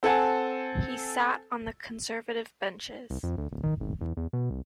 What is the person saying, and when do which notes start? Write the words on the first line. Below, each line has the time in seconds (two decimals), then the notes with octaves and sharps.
He sat on the Conservative benches.
0.03 C4 A4 F#5 G#5 A5
3.10 C2
3.23 F2
3.38 D2
3.51 D1
3.63 D#3
3.80 G#1
4.01 E2
4.17 E2
4.33 B2
4.50 C2